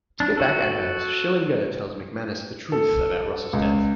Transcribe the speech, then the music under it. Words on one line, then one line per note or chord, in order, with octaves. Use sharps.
To get back at her, Schillinger tells McManus the truth about Ross' death.
D4
F#4 A4
A4
C#2